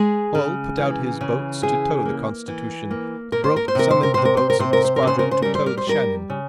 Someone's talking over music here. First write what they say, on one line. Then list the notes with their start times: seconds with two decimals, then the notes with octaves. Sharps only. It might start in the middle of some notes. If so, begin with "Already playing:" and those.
Hull put out his boats to tow the Constitution; Broke summoned the boats of the squadron to tow the Shannon.
Already playing: G#3 G#4
0.35 C#3
0.77 E3
1.21 C#3
1.62 E3 G#4
2.05 A#3
2.48 E3
2.91 A#3
3.32 A#3 A#4
3.44 C5
3.56 A#4
3.68 C5
3.75 C3 A#4
3.91 C5
4.03 A#4
4.14 C3 C5
4.25 A#4
4.37 C5
4.50 A#4
4.59 C3 C5
4.73 A#4
4.84 C5
4.96 A#4
5.03 C#3 C5
5.19 A#4
5.31 C5
5.42 G3 A#4
5.55 C5
5.66 A#4
5.78 C5
5.87 G3 A#4
6.30 C#3